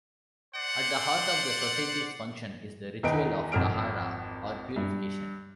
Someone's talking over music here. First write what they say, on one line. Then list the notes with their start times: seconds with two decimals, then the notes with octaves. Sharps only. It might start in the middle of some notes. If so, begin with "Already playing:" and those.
At the heart of the society's function is the ritual of "tahara", or purification.
0.55 C5 D5 F#5
3.03 E2 D#3 B3 D#4 B4 D7
3.52 G#1 F2 F6 D7
4.76 G2